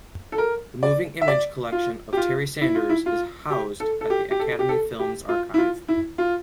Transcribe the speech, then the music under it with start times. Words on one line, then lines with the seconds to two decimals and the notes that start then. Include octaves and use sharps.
The moving image collection of Terry Sanders is housed at the Academy Film Archive.
0.32 A4
0.38 A#4
0.83 D5
1.22 E5
1.28 D5
1.72 F4
2.13 G4
2.17 F4
2.61 E4
2.75 F4
2.90 E4
3.06 F4
3.50 G4
3.80 A4
4.01 A4
4.10 G4
4.31 G4
4.40 A4
4.59 G4
4.69 A4
4.99 G4
5.29 F4
5.54 E4
5.58 F4
5.88 E4
6.18 F4